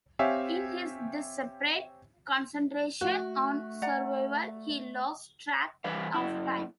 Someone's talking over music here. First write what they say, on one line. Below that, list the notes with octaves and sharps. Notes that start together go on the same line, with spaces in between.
In his desperate concentration on survival, he loses track of time.
C4 G4 C#5 E5 F5 G#5
A3 F#4
D5 F#5 A#5
E3 G3 B4 F5
F#2 E4